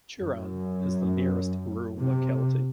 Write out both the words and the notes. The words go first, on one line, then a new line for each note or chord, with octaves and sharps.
Turan is the nearest rural locality.
F#2
C3